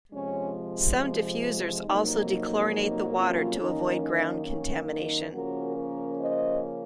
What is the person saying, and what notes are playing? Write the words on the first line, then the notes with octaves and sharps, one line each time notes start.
Some diffusers also dechlorinate the water to avoid ground contamination.
F2 C3 F3 G#3 C#4
F2 C3 F#3 A#3 D#4
D#4
D#4
C#4 F4
F#2 D#3 A#3 C#4 D#4
D#4
C#4
D#4
C#3 F3 A#3 C#4 F#4 A#4
A#4 C#5
C5 D#5